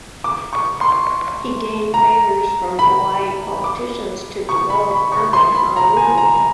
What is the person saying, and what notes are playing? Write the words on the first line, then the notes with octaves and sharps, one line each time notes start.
He gained favors from Hawaii politicians to develop urban Honolulu.
D6
C#6
C6
A#5
B5
D6
C#6
B5
B5
C#6
C6
B5
A#5
G#5
A#5